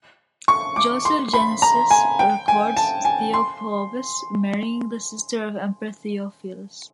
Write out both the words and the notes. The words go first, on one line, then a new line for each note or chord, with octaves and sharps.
Joseph Genesius records Theophobos marrying the sister of the Emperor Theophilos.
C#6
D6
C6
B5
A#5
G#5
G5
G#5
A5
G#5
C6